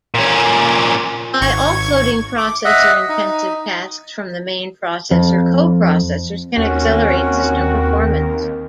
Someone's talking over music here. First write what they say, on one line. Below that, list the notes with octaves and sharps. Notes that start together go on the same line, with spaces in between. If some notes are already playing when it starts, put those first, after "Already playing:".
By offloading processor-intensive tasks from the main processor, coprocessors can accelerate system performance.
A#2 C#4
G#1 C#6 G#6
D6
D#5 E5 F#5
D#4
F2
D#2 C4 C#4 F#4 A#4